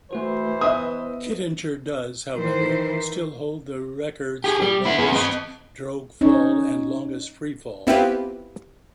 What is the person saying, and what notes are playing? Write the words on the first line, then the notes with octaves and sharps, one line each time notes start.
Kittinger does, however, still hold the records for longest drogue fall and longest freefall.
E3 A3 F#4 B4 C5
B3 B4 D#5 E5 D#6
D#3 E3 A#4 C5
G4 G#4
G3
B3 E4
B3 G#4
C4 D#5
C#4 D#4 C#5
B3 C4 E4 F4 G4 B4